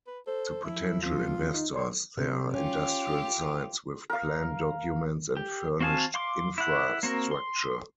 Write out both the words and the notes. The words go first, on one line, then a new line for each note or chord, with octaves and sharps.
To potential investors there are industrial sites, with plan documents and furnished infrastructure.
B4
A4 C5
F3 E4
D#2 C4 F4
D#4
C#5 D5 C6
C3
C#4 F4 G4
A#4 F5
G4
C4 F#4 F5 G#5 A5
F5 C6 D6
E4 F#5
A#3 C4 F#4 A#4
C6